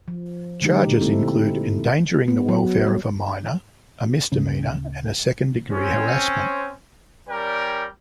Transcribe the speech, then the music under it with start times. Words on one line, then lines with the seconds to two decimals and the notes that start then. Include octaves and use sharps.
Charges include, Endangering the Welfare of a Minor, a misdemeanor and second-degree harassment.
0.08 F3
0.61 D3 G#3 A#3 D#4 G4
1.01 A3 A#3 C4 E4 A4
1.19 A#2 D3
2.28 B3
2.49 F#3
2.87 G3
4.32 D1 C#3 A#3 C#4
5.72 C4 C#4
7.29 G3 C#4 A#4 D5 G5